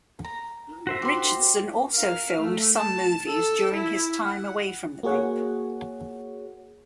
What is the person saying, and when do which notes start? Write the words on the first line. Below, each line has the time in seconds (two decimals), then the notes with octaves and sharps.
Richardson also filmed some movies during his time away from the group.
0.25 A#5
0.87 F#4 C5 E5
1.02 G4 C6
1.92 A#4 F5
2.38 A3
2.77 A5
3.28 A4
3.74 E4
4.23 F#5
5.03 A#3 F#4 G#4 C#5 F#5